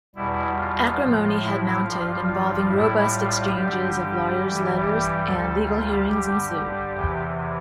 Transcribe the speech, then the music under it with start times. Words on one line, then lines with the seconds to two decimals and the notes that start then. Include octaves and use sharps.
Acrimony had mounted, involving robust exchanges of lawyers' letters, and legal hearings ensued.
0.15 E2 B2 G3 E4
0.58 F4
1.00 A2 F3 F4
1.42 E4
1.84 G2 F3 F4
2.27 F4
2.69 A2 G3 E4
3.11 F4
3.54 G2 D3 G3 G4
3.96 G4
4.39 G2 E3 G3
4.80 G4
5.24 D2 D3 G3 A4
5.66 F4
6.08 G2 D3 G3 G4
6.93 E2 C3 E3